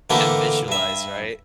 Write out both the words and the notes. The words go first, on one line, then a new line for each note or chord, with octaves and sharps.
And visualize, right?
D3 E3 A3 A#3 E4 G4
G2 E5